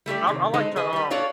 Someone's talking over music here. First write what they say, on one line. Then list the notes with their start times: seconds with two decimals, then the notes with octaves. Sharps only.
I I like to, um
0.06 G3 A3 G4 D5
0.27 C3 D#3
0.54 G#3 B3 D#4 A4 C5
0.76 G#4 B4 D#5
0.93 G3 B4
1.10 F#4 A4 C#5 D5 F5